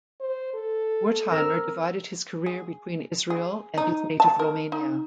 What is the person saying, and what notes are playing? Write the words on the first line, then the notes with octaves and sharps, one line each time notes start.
Wertheimer divided his career between Israel and his native Romania.
C5
A4
C4 A#4 E6 F6
G#4
G#4
D#4
A5
A#4
D#4